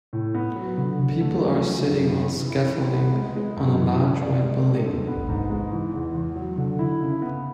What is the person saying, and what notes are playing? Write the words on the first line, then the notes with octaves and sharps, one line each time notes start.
People are sitting on scaffolding on a large, white building.
A2
B3
F#3
D3
D3
A3
F#3
F#4
F#2
B3
E3
E4
E3
B3
G#3
G#3
F#2
E3
C#3
D5
G#3
A4
D4
B3
G#2
G#3
E3
E2
E2
F#3
D3
E4
C#3
B3